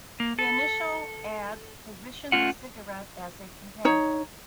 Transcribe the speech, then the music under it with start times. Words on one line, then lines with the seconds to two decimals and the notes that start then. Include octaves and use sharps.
The initial ads positioned the cigarette as a companion.
0.20 A#3
0.39 A4
2.32 A3 C#4 F4 F#5
3.85 D#4 C#5